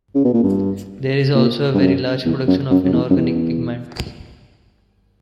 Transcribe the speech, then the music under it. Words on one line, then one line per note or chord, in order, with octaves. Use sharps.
There is also a very large production of inorganic pigments.
C#3
B2
A#2
G2
A#2
G2
F#2
E2
F#2
F#2
F#2
E2
F#2
E2